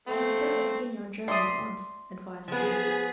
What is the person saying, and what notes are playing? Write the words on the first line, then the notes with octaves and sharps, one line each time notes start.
"Then you'd better begin your journey at once," advised the Wizard.
A3 C4
D5 E5 C6 D#6
F3 B3 G#4